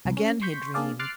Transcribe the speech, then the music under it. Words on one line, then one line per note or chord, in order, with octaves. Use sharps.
Again he dreamed.
C2
C#4
C6 C#6 G6 B6
A#3 D4 G#4 D5 F5
C6 D6 F6 F#6 A6 C7